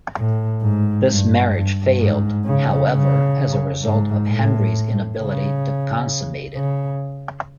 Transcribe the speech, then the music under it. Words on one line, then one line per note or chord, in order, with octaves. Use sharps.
This marriage failed, however, as a result of Henry's inability to consummate it.
A2
G#2
G2
G2
G#2
C#3
C#3
G#2
A2
C#3
C#3